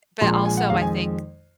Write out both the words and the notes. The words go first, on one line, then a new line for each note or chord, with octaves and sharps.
but, also, I think
A#1 A#2 G#3 C6
C6
G#5
F#5
F2 D#3 G#3 F5
G#5